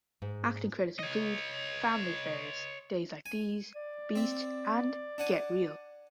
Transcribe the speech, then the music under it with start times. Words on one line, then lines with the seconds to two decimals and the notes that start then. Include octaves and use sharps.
Acting credits include "Family Affairs", "Days Like These", "Beast", and "Get Real".
0.22 G#2
0.99 C#5 D#5
3.26 G#5
3.75 D5
4.16 C4 E5
5.18 D4 F#5 G#5